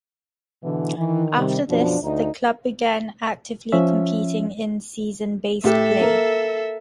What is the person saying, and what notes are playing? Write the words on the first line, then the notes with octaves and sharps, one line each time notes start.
After this, the club began actively competing in season based play.
B2 D3 E3
D#3 E3
C3 G3
F#2 B2 F3 D4
D2 D#4
F3 C#4 E5
A2 G4 A4 E5
A#3